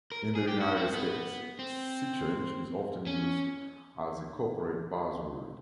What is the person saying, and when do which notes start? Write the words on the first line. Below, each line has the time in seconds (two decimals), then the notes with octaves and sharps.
In the United States, sea-change is often used as a corporate buzzword.
0.12 A#4
0.35 G#4
0.48 G4
0.60 F#4
0.77 C4
0.93 B3
1.59 C4
3.07 C#4